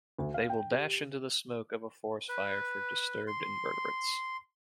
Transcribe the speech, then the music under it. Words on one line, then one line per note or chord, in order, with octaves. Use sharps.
They will dash into the smoke of a forest fire for disturbed invertebrates.
D2
F5
G5
G4
B4
C6